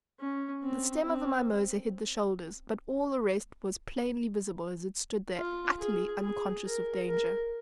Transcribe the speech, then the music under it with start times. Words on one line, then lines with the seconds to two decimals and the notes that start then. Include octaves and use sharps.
The stem of a mimosa hid the shoulders, but all the rest was plainly visible as it stood there utterly unconscious of danger.
0.20 C#4
0.63 C4
1.06 C4
5.37 F4
5.79 G#4
6.22 G#4
6.66 A#4
7.08 A#4